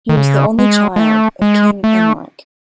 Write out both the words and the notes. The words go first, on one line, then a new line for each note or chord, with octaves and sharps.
He was the only child of King Emeric.
D#3
C#3
G#3
G#3
A3
G#3
A3